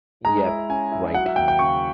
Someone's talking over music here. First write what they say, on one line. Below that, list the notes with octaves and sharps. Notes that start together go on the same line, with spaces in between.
Yep, right!
G#3 A#5
E4
C#4 G#5
E4
F#3 F#5
E5
D#2 G5
G5
C#3 C#6